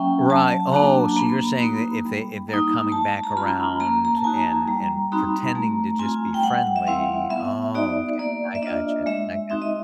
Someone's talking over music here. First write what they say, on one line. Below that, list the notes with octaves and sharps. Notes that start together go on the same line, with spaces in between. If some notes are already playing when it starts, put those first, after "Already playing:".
Right. Oh, so you're saying that if they if they're coming back around and and pretending to just be friendly oh, okay. I gotcha, I gotcha.
Already playing: F#3 A#3 C#4 E5 G5
F#3 A5
A#3 D4 F#4 A#5
A#3 B5
D#4 F#4
G3
A#3 D#4
G#3 A5
A5
A#5
C#4 F4 B5
A#3 A#5
A#5
A5
D#4 F#4 G#5
G3 A#5
C4 D#4 F#4 B5
A3 A#5
C4 F4 G#5
G5
G3 F#5
E5
C4 E4 F5
B3 E5
D#4 F#4 D5
A#3 D5
E5
D4 F4 D#5
G#3 E5
C4 D#4 F#4 E5
D#5